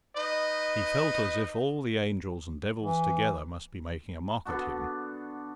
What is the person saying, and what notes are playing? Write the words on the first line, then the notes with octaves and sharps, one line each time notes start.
He felt as if all the angels and devils together must be making a mock at him.
D#4 B4 D#5
E3
D3 B3 D4 F#4